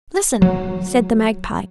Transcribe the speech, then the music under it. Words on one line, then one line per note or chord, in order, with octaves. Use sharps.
"Listen," said the Magpie.
F#3